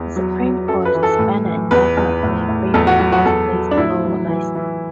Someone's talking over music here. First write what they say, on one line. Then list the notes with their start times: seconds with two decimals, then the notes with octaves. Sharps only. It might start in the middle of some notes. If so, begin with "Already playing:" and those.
The Supreme Court suspended indefinitely Freeman Bosley's law license.
Already playing: E2
0.16 F#3
0.42 F#3
0.68 F#2 A4
0.85 B4
0.94 E3
1.03 A4
1.19 A2
1.45 E3
1.71 E2 B4
1.97 E2
2.23 A2
2.49 A2
2.74 E2 A4
2.87 F#4
2.99 F#3 F#4
3.12 F#4
3.25 E2 A4
3.52 F#3
3.71 D4
3.77 A2 E4
4.04 F#3
4.28 E3
4.55 E3